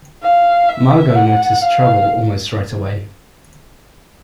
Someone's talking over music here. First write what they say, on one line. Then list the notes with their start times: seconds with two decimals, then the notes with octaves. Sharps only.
Margo noticed trouble almost right away.
0.23 F5
0.69 E5
1.16 F#5
1.62 F5